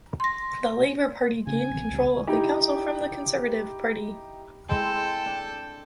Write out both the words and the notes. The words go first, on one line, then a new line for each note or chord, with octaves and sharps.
The Labour Party gained control of the council from the Conservative Party.
C6 A#6
C#3 B3 G#5
A#1 C4
C#2 C3 G3
D#4 E4 G4
G#3 C4 E4 A4 G5
D4